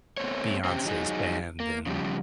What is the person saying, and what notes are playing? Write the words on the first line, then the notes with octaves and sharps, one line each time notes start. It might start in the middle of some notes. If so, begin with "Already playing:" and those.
Beyonce's band and
A3 B3 C4 C5 C#5
C4 C#4 G4
F#3 D#4 G#4
A#3
C#3 F3 G3